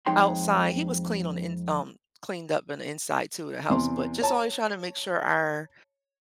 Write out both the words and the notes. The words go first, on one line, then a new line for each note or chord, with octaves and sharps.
outside he was clean on the ins um, cleaned up on the inside to the house, but just always trying to make sure our,
F2 G#3 D#4 C#5 G5 C6
E2 C3 C6
C#5 A5 A#5